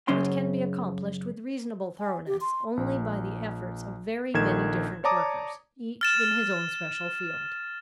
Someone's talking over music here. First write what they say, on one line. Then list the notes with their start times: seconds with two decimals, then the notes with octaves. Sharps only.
It can be accomplished with reasonable thoroughness only by the efforts of very many different workers, each in his own special field.
0.08 F#2 C#3 C#4 C6
2.00 G#5
2.27 G4
2.41 C6
2.77 A#1
4.34 A#1 D#3 A4 G#6 E7
5.04 C#5 D5 A5 A#5 D6 D#6
6.01 F6 A6 E7